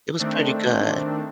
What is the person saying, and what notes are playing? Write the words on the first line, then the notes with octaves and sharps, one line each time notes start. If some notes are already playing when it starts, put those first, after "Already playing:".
It was pretty good.
D#3 A3 C4 D4